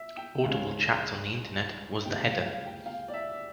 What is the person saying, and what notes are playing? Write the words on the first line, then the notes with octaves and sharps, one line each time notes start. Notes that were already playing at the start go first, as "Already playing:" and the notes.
Audible chats On the Internet was the header.
Already playing: E5
G5
C#2 C#3 F3 C#4 F5
D2 C#3 G3 G5
F5
F5
G5
F5
D5
E5